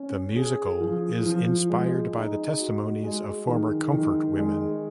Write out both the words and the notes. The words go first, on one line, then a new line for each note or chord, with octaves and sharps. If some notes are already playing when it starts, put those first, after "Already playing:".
The musical is inspired by the testimonies of former comfort women.
Already playing: C#4
G#4
F3
F3
G#3
D#4
F#4
G#3
D#3
D#3
G#3